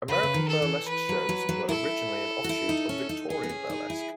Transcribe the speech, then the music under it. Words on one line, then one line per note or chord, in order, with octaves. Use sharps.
American burlesque shows were originally an offshoot of Victorian burlesque.
C#3 B4
C#3
D#3
A4
E3
B4
F#3
F#3
F#3
E4 A4
F#4
E4
D#4
C#4
D#4
D#4 G#4
B3
C#4
D#4
E4